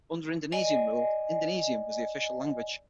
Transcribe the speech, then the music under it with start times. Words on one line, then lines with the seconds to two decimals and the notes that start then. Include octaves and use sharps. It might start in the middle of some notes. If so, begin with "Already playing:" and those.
Under Indonesian rule, Indonesian was the official language.
0.52 D5 D#5 G#5